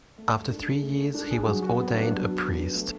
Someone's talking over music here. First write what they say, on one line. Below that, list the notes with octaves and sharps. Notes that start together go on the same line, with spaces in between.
After three years he was ordained a priest.
A3
A3
D4
G#4
A3
A3
D4
G#4
F#3
F#4
B3
D4
F#3
F#4
B3
D4
A3